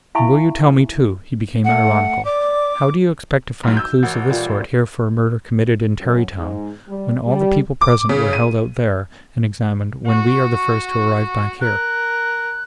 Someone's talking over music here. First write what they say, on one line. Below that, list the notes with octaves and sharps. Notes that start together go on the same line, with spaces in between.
And will you tell me, too"--he became ironical--"how do you expect to find clues of this sort here for a murder committed in Tarrytown when all the people present were held out there and examined, when we are the first to arrive back here?
E4 E5 F5 G#5 B5 C#6
A3 F#5
D5 D6
B1 G#2
E6 G6
A1 F#4 A#4 C#5
A#2 G3 A3
C5
F#2
G#2
G3
G3
D6
C#3
D#7
F#4 C#6
A#4 F#6